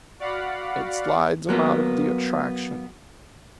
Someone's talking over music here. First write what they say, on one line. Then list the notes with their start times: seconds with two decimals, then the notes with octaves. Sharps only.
"It slides 'em out of the attraction."
0.20 F#4 D5 F5 F#5 B5
1.49 F#3 A#3 B3